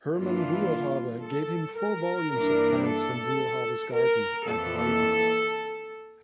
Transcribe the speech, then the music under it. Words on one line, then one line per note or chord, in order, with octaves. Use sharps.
Herman Boerhaave gave him four volumes of plants from Boerhaave's gardens at Leiden.
G2 E3 A#3 D4 F4
A4
A#4
G2 E3 A#3 D4
A4
A#4
F2 E3 A#3 A4